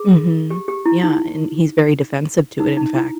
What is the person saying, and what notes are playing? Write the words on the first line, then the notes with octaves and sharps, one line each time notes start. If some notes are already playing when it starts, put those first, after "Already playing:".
Mhm. Yeah. And he's very defensive to it, in fact,
Already playing: G#4
G4
G4
E4
D#4
D#4
D#4
E4